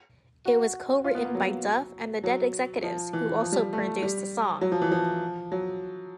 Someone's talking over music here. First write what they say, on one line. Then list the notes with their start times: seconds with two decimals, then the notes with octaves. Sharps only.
It was co-written by Duff and the Dead Executives, who also produced the song.
0.45 F#4
1.04 F4
1.15 B3
1.25 A#3
1.35 F#3
2.24 F#3
2.83 F3
3.13 E3
3.42 F3
3.52 G3
3.73 A3
4.02 G3
4.61 F#3
4.72 F3
4.82 E3
4.92 F3
5.52 F#3